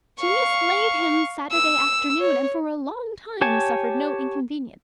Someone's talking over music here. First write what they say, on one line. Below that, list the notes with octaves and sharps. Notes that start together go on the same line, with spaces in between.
She mislaid him Saturday afternoon--and for a long time suffered no inconvenience.
F5 C#6
E6
C#5
G4 C#5 G#5 A5